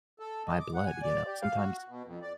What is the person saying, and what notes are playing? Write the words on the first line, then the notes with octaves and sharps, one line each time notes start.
by blood, you know? Sometimes
A4
D#5
D6
F#5
G#5
D5
G4
F5
F#4
B2
F2
D5